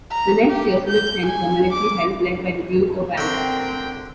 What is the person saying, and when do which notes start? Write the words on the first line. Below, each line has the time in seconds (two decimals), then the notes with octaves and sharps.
The next year, Philip sent her military help led by the Duke of Alba.
0.11 A#5
0.50 G4
0.88 G6
1.26 G#5
1.73 D6
3.18 D3 C4 A#4 G5 C#6